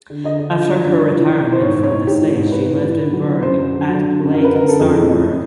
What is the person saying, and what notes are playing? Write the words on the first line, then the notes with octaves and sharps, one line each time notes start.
After her retirement from the stage she lived in Berg at Lake Starnberg.
D3
D3 D#5
D3
F3
F3 D5
G2
F3
E3
E3
E3
C5
G#2 C#5
G#2
C#5
G#2
G#2 G4
E3
G#2
G#2 B4
G#2
E3
D3
F#3
F#3
F#2 C5
F#2
D3
F#3
D3
F#2
F#2 A#4
B4
D3
A#4
F#2 A4
F2 G#4
E3
F2